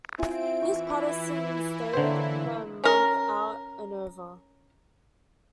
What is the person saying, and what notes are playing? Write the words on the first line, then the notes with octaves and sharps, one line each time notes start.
Miss Patterson stayed her month out and over.
C4 E4 F4 G#5 D7
E3 E4 C#6
D3 A#3 C5 C#5 G5
C#4 A#4